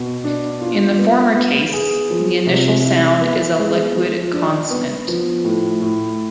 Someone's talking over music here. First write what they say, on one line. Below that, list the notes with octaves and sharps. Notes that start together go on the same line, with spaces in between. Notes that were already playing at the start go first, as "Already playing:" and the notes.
In the former case, the initial sound is a liquid consonant.
Already playing: B2
D4
F4
B3
B3
G#4
F3
C3
E4
B3
G#3
F3
D4
B3
F3
A2
A2